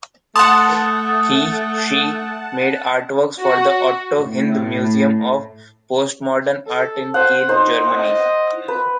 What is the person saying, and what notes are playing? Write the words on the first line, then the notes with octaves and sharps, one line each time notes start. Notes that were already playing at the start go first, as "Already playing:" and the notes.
He/she made artworks for the Otto Hind museum of postmodern art in Kiel, Germany.
A3 F#5 A5 C6 D#6
F#4
A2
A4
C5 F#5
D#4 C5
D#5
B4